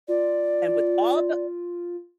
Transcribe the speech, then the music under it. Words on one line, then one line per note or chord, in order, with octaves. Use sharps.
And with all the
F4 D5